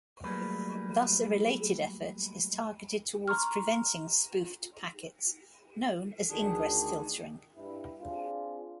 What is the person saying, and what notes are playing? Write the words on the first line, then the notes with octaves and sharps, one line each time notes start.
Thus, a related effort is targeted towards preventing spoofed packets; known as ingress filtering.
F#3 G3 A3 A#3 G#4 B4
A#5 C6 C#6 F6
D2 D#3 D4 G#4
G2 E4
C4 D4 F4 G#4